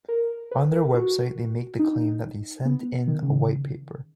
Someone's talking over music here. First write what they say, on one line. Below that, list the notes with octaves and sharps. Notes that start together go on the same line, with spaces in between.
On their website, they make the claim that they sent in a white paper.
A#4
B4
A#4
F#4
D#4
B3
D#3
C#3